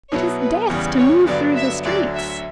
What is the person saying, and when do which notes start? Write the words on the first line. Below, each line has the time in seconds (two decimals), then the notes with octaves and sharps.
It is death to move through the streets!'
0.11 B2 F#3 B3 E4 C#5
0.40 B4
0.70 E2 C#3 G3
0.98 C#5
1.27 G2 D3 F#3 B3 D5
1.57 E5
1.85 D2 D3 F#3 D5
2.15 E5